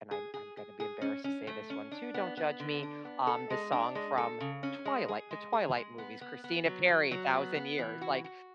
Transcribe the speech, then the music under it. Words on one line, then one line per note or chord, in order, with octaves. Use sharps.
and I'm I'm gonna be embarrassed to say this one too, don't judge me, um, the song from Twilight, the Twilight movies, Christina Perri, Thousand Years, like,
G#4
G#4
G#4
G#4
C#4
C#4
A3
C#4
D4
B3
B3
D3
D4
B3
A4
G#3
D4
G#3
A4
C#3
C#4
G#3
G#4
G#3
G#4
G#3
B3
B3
B3
F#3
F#3
F#3
B3
B3
E3
F#4
F#4